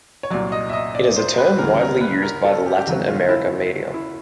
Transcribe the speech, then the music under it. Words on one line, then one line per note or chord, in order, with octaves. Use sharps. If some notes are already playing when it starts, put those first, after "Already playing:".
It is a term widely used by Latin American media.
C#5
C2 A#2 F#3 D5
D#5
E5
D#5
D5
C5
B4
D2 C#3 E3 G3 A#4
A#4
B4
A#4
A4
G4
G4
E2 C#3 F#3 A3 F#4
F4
E4
E4